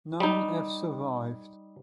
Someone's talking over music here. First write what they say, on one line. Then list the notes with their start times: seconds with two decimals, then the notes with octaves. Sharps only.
None have survived.
0.20 G3 D#4